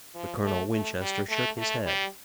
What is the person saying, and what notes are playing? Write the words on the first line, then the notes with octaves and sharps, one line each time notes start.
But Colonel Winchester shook his head.
F3
A3
A3
G3
A3
A3
G3